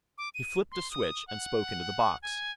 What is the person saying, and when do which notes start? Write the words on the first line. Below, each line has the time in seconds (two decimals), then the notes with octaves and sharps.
He flipped a switch and spoke into the box.
0.18 D6
0.34 D#7
0.71 C6
0.91 D#6
1.27 F#5
2.22 G#5